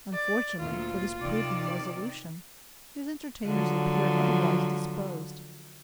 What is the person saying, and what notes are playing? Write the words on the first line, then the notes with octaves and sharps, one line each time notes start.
Unfortunately for this prudent resolution, his entertainers appeared otherwise disposed.
D5
D2 A#2 F4
C3 D#3 D5
D3 F3 F#3